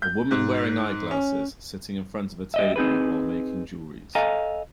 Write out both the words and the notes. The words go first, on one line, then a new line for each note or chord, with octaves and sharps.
A woman wearing eyeglasses, sitting in front of the table while making jewelries.
G6
G#2
C#4
G3 D#5 E5
C4 D#4 G#4 B4
A4 D#5 F5 G#5 A#5